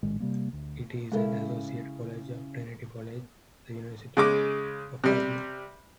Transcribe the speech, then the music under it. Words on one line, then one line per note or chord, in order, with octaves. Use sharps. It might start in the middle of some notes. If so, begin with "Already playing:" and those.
It is an associate college of Trinity College, the University of Dublin.
A#1 A2 D#3 G#3
C3 G3 A#3
D2
C#3 G#3 C#4 E4 A4 A#4
C#3 G#3 D6
C3 G3